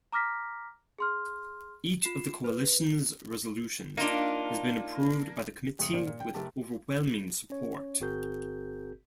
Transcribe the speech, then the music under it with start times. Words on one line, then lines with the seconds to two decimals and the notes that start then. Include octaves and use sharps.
Each of the Coalition's resolutions has been approved by the committee with overwhelming support.
0.12 A#5 D6 F6 A#6 B6
0.98 G#4 C6 F6
2.02 F4 C7 E7
2.44 B4
3.97 A#3 D4 D#4 F4
5.79 F2 C#3 A3 D#6 C#7
5.93 D#1 A#2 C5
6.07 A#2
6.20 G5
6.34 F#1 A3 G4 A5
7.50 C#4 C#5
8.00 G1 C4 F#4 G#4 A#4 G6